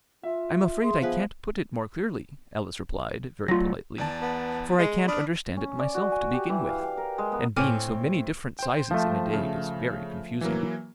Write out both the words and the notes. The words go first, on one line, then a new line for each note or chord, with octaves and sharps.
'I'm afraid I can't put it more clearly,' Alice replied very politely, 'for I can't understand it myself to begin with; and being so many different sizes in a day is very confusing.'
F4 E5
G#4 C6
F3 B3 G#4 B4
F#3 A3 F4 A#6
E2 D5 A5
B3
G#3
D4 B5 D#6 F6
C#4
D5
F#4
G#5
G4
E3
F5
G5
A#4
G#3
B3
A2 C4 C#5 G#5 D6 F6
C5 G5
F3 A3
C#3
E3 F#3 A#3